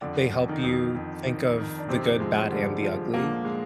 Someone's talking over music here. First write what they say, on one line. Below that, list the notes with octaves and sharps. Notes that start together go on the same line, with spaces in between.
they help you think of the good, bad, and the ugly,
F2 D3 D4
F2
D#3 D#4
F2
F2
D#3
D#3
D4
F2 C3 C4
F3 G#3
D3 G3
F3
A#2 D3 A#3
G#3